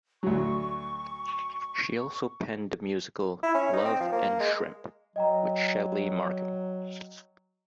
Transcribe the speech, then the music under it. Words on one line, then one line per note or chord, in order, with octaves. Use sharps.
She also penned the musical "Love and Shrimp" with Shelly Markam.
D2 F#3 C#6
E4
C#4
D#4
C4
F3
A#3
G#3
F#3 D#5 G5 A#5